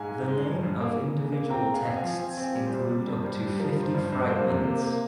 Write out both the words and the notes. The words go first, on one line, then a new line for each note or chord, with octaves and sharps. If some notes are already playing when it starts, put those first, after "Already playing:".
The name of individual texts include up to fifty fragments.
Already playing: G#2 F5 G#5
G#3
G#3
G2
G2
A#3
A#3
C#3
A#3
C4 G5 A#5
G#3
F5 G#5
C4
F5 G#5
F3
C4 F5 G#5
C4
F5 G#5
G3
C5
C3
G3
G2
G2
G3
F3 A#4
G2
C5
G2
C5
G2
A#3 C5
C3
A#3
A#3